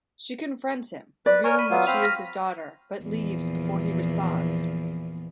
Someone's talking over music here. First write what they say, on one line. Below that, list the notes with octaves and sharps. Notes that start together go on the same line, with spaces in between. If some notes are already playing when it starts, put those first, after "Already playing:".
She confronts him, revealing that she is his daughter but leaves before he responds.
B4 D5
A#4 C#5 G#5 C#6 F6
B5 D#7
F#3 B3 F4
C4 F5 B5 F7
F6 A#6 B6
E2 A#2 F3